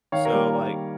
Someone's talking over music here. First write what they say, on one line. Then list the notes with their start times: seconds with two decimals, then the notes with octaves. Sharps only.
So, like,
0.12 D#3 C#5 F5
0.25 A#4 C#5
0.33 G3 A#3